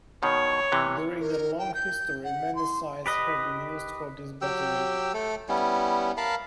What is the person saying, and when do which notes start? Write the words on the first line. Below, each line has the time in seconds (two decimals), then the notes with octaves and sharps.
During their long history, many sites have been used for this battery.
0.23 B2 D#3 C#5
0.72 C3 E3
1.20 A#4
1.59 G5
1.74 G6
2.24 F#5
2.55 C6
3.06 G4 B4 D#5
4.41 F#3 G4 G5 E6
5.14 A3 A4
5.49 G3 B3 C#4 E4
6.17 A#4 F5 A5 B5